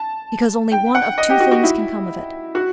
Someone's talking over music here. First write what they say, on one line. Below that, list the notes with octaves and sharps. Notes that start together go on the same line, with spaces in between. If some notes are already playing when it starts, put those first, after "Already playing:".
"Because only one of two things can come of it."
Already playing: A5
G5
F#5
D#5
G4
F#4
F#4
E4
F#4